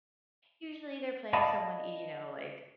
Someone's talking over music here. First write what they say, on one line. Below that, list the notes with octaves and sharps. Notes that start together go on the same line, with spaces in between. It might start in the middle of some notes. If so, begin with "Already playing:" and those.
usually, they're playing someone, y you know, like,
D5 D#5 F5 A5 B5